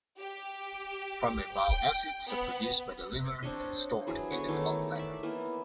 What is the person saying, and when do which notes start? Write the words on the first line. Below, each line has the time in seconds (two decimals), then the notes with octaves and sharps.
Primary bile acids are produced by the liver and stored in the gall bladder.
0.19 G4
1.54 G5
2.29 B3
3.43 C4 D4 C#5 D#5
4.07 E3 F#3 G#4 G#5
4.31 D3 B3 C#5
4.48 D#3 E3 A3 D6
4.95 D5 E5
5.23 E3 A#3 B3